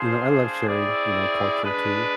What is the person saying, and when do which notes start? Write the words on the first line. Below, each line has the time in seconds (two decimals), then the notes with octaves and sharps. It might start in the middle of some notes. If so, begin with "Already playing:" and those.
you know, I love sharing, you know, culture too.
Already playing: D4 G#4 C5 F5
0.69 C4 E4 G#4 D5
1.62 G#3 D4 G#4 B4